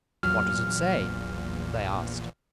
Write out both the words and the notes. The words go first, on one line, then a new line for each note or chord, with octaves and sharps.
"What does it say?" they asked.
A#1 E2 A#2 F#3 F6